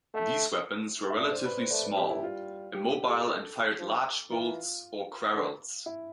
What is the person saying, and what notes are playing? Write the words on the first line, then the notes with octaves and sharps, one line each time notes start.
These weapons were relatively small, immobile, and fired large bolts or quarrels.
A3 E5
E5
A3 D5
C5
B4
C5
A3 D5
B4
G4
E4
G3 F4
G4
G4
A4
A4
F3
E3 F4
D3
E4